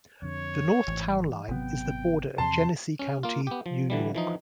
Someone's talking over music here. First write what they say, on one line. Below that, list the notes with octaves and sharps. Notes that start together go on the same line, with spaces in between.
The north town line is the border of Genesee County, New York.
F2 D3 C#5
G#1 E3 A3
G#1 C3 F#3 B3 G5
E2 C3 F3 A5 C6
C#4
A#3 F4
B3 G4
F3
D3 E3 G3
E3 F3 D#4